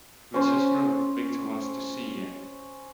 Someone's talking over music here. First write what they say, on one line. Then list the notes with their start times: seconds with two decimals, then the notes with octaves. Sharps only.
Mrs. Ruth Victor wants to see you.
0.34 C#4 C5